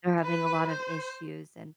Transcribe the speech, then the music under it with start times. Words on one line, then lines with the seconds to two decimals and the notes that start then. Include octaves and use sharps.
they're having a lot of issues. And
0.23 B4
0.68 C5